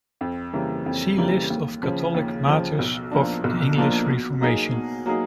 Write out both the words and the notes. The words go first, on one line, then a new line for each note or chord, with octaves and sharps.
See List of Catholic martyrs of the English Reformation.
F2
C#3 E3 G3 A#3
F2
C#3 E3 G3 A#3
D#2
C#3 F3
D#2
C#3 F3
B1
A#2 F3 A#3 D4
B1
A#2 F3 A#3 D4
B2
F#3 A#3 D#4 G#4
B2
F#3 A#3 D#4 G#4